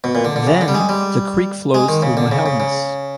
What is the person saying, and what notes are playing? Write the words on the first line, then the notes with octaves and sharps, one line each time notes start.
Then the creek flows through Mohelnice.
B2
A#2
D3
D3
C#3
D3
G3
G#3
G3
G#3
D#3
C#3
D3
C#3
C#3
C#3